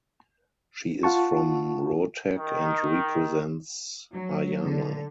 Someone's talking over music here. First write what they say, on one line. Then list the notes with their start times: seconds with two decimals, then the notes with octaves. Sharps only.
She is from Rohtak and represents Haryana.
1.03 F4 F#5 A5 C#6
2.35 D#3
4.13 F#3
4.64 D3